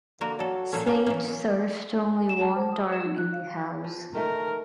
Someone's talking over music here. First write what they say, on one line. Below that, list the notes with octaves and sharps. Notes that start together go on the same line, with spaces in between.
Sage served only one term in the House.
D3 A#3 F#4 A#4
F#3 A4 D5
A#2 F#3 C#4 A4
F#3 A#3 B3 C#4
E3 F#3 A#3
G#5
E7
A5
C5
D#6
E7
D#4
F#6
F5
F3
D#3 A3 A#4